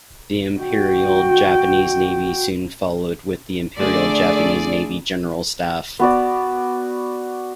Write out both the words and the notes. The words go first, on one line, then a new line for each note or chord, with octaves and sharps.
The Imperial Japanese Navy soon followed with the Imperial Japanese Navy General Staff.
F#4 G5
D3 A3 G#4 D5
B3 F#4 D5